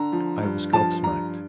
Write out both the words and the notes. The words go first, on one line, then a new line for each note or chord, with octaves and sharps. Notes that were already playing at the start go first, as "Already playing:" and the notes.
I was gobsmacked.
Already playing: D3 A#5
F3
G2
F3 A5
G2 A#5